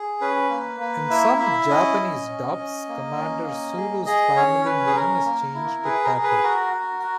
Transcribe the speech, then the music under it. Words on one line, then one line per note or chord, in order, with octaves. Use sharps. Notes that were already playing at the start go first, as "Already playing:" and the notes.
In some Japanese dubs, Commander Sulu's family name is changed to Kato.
Already playing: G#4
C#4 B4
A#3
A#3
E4 E5
E4 E5
C#4 D#5
C#4
C#4
C#4
A#3
C#4
A#3
G#4
G#4 D#5
C#4 C#5
C#4 B4
G#4
C#4 A#4
A#3
E4
G#4 B4
A#4
G#4
B4
F#4 A#4
F#4
F#4